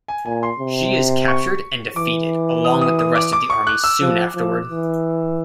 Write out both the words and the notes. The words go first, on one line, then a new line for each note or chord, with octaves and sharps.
She is captured and defeated along with the rest of the army soon afterward.
G#5
A#2 G#5
C6
C3
C#6
E3 D6
D#6
D#6
D#6
D6
D6
C#6
F#6
E6
F3
F3
E3